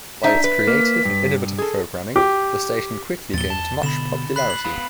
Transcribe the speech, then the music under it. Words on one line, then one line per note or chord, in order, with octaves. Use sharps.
By its creative and innovative programming, the station quickly gained much popularity.
D4 D#4 E5 B6
B4
A#3
G2
G#4 A4
G4
E2 A#2 F3 A6 G7
A5
B2 D3 B5 E7
B5 F#6 B6 C7
F#7
B3 F5 B5